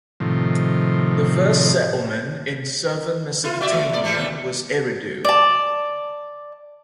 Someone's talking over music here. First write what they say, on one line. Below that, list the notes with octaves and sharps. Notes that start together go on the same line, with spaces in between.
The first settlement in southern Mesopotamia was Eridu.
A2 C3 D#3 F3
E4 F4
F#4 D5 E5
G#3
E2 D5
E3 G3 A3
D#2 A3
D5 A5